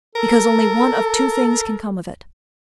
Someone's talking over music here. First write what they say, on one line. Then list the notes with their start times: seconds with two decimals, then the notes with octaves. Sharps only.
"Because only one of two things can come of it."
0.16 A4 A#4